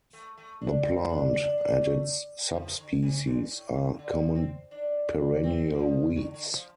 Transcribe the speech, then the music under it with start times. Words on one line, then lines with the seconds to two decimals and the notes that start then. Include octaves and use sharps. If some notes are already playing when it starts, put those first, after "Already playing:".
The plant and its subspecies are common perennial weeds.
0.13 A3
0.38 A3
0.62 D4
0.86 C4
1.09 D4
1.34 D4
1.58 D4
1.81 A3
2.54 F3
2.79 D3
3.03 C3
3.27 G2
3.51 A2
3.75 A2
3.99 D3
4.17 F3
4.35 C4
4.71 D4
5.08 D4
5.43 C4
5.72 D3
5.80 F3
6.16 D3
6.34 D3
6.52 F3